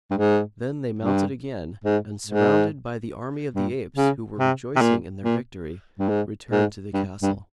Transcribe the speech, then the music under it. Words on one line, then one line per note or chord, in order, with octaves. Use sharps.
Then they mounted again and, surrounded by the army of the apes who were rejoicing in their victory, returned to the castle.
G2
G#2
G2
G#2
G#2
G2
C#3
C3
C3
A#2
A#2
G2
G#2
G#2
G2
G2